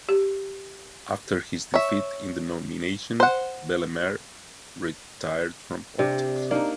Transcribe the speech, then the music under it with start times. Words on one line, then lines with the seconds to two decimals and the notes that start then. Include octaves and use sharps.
After his defeat in the nomination, Bellemare retired from politics.
0.09 G4
1.74 C#5 E5
3.20 C5 F#5
5.99 C3 D4
6.51 A#3 D4 D#4